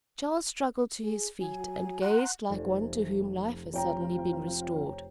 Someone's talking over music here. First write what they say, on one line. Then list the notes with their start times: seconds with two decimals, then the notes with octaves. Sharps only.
Charles struggled to his feet and gazed like one to whom life has suddenly been restored.
1.03 G#4
1.41 F#3 F#4 G#5
2.02 F#5 A#5 C6 F#6
2.49 F1
3.73 F3 C4 F4 C#5 G5 A#5